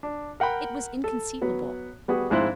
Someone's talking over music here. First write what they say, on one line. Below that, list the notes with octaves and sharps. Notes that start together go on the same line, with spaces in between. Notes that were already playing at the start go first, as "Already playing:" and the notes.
It was inconceivable.
D4
A#4 F#5 G5 B5
A4
F#3 B3
G3 B3 F#4 G#4
A#1 G#2 C4 E4 C5 F#6